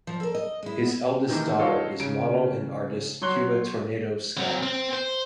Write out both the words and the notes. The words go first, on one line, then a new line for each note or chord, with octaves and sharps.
His eldest daughter is model and artist Cuba Tornado Scott.
F3
A4 A#4
D#5
G#3 E4
B3
C3 D#3 E3 A3
D#4 F4 F#4 A4 C#5 F5
C#3 D7
F#3 C#5 C6 F#6 G7
F#3 C4
C4
C5